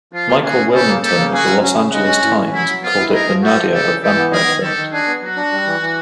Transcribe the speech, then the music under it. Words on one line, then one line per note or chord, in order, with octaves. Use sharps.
Michael Wilmington of the "Los Angeles Times" called it the nadir of vampire films.
F3 F4
A#3
C#4 F#4 G#4
C#4
C#3 G4 A4
A#3
A#3 G4 A4
C#3
C#4 F#4 G#4
F#3
C#4
C#3
G#3 F#4
C#4
A2
C#4
F#3 E4
F#3
B3 F4
E4
D#4 G#4 A#4
F3
F#4 G4 A4
F3
C#3 G4 A4
E3
E3 G4 A4
B3
D#3 G#4 A#4
D#3
D#3 G4 A4
D#3
D4 F#4 G#4
B3
F#3 F#4
D4
G3
E3
E3